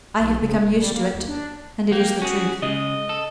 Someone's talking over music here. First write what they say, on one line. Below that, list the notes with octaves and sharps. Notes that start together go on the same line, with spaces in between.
I have become used to it,--and, it is the truth.
B1
C#3
D#1
G3
A#3
D#2
D4
A#3 G4
C#4 F#4 G#4
C#3 G#3 D#5
A4